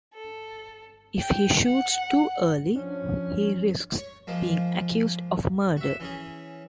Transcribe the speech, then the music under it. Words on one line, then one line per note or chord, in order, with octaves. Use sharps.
If he shoots too early, he risks being accused of murder.
A4
G5
F#5
F3 C#4 D4
C#5
F3 G#3 A#3
F#4 E5
E3 C#4 G#4